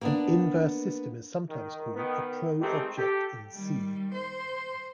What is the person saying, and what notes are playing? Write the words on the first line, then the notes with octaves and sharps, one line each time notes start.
An inverse system is sometimes called a "pro-object" in "C".
A#3 B3 D4
D#3
D#3 B3
G#3 A3 C4 D#4 G4 A#4
G4 A4
D#3 G3
C5